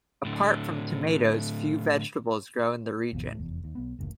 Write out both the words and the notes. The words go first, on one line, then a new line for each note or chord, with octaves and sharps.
Apart from tomatoes few vegetables grow in the region.
A2 D3
G#1 E2 B2 F3
D2 A2
F1 E2
D#2
B1 B3
F#1 D2 A#2